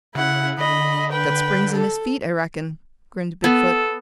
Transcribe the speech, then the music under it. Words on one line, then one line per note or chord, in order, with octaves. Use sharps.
"Got springs in his feet, I reckon," grinned Big-foot.
C#3 E4 F#5
D3 D#5 B5
B4 G5
A4
B3 A4